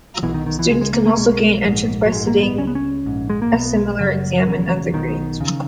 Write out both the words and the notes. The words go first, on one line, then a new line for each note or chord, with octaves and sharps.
Students can also gain entrance by sitting a similar exam in other grades.
B1 B2 E3
D#3
D#3
E3
C#2 C#3 G#3
G#3
A#3
A#3
B1 B2 G#3
A#1 G#2
F#3
A#1 G#2 G#3
A#3
B3
C#2 C#3 C#4
B3
C#4
A#1 G#2
G#3
A#3
B1 B2 B3
G#3
F#1 F#2 C#3 F#3
E1 E2 C#3
B1 B2 D#3
D#2 C#3